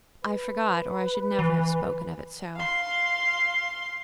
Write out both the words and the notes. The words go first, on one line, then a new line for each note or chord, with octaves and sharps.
I forgot, or I should never have spoken of it so.
B4
E3
F5 C6